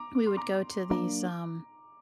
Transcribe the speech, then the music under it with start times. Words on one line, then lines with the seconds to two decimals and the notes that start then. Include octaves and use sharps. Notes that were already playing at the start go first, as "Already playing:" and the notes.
we would go to these, um
Already playing: A#5 D6
0.15 D6
0.26 C6
0.37 A#5 D6
0.90 F#3 A#3 D4 A#5 D6